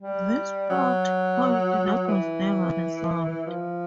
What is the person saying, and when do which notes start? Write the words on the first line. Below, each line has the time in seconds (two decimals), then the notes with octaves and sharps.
This plot-point that was never resolved.
0.01 G3
0.70 F#3
2.08 E3
3.47 F3